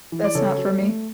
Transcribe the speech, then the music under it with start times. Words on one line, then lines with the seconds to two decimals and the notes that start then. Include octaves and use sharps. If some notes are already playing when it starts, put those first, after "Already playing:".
That's not for me.
0.12 E3
0.24 D5
0.35 C#3 A4 C#5
0.58 F#3
0.80 A3